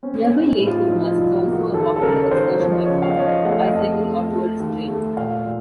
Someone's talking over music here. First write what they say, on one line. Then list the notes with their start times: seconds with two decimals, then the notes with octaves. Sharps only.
Nearby Lake Kournas is also a popular excursion by foot, bicycle or tourist 'train'.
0.03 C4 C#4
0.24 C#4
0.31 C4
0.46 D#4
0.60 A2
0.67 F4
0.88 F3 D#4
1.05 D#4
1.09 F4
1.17 C2
1.31 F#4
1.46 A#3
1.52 F#4
1.74 D#2 A4
1.96 A4
2.02 C#3 A#4
2.21 C#5
2.31 D#2 C5
2.59 F3 C#5
2.72 D#5
2.86 C#3 C#5
3.02 F5
3.10 D#5
3.16 F3 C#5
3.28 D#5
3.45 A3 F#5
3.52 F5
3.60 D#5
3.68 F5
3.73 F2
4.03 A3
4.31 A3
4.60 D#2
4.88 A3
5.17 A#2 F5
5.45 A#2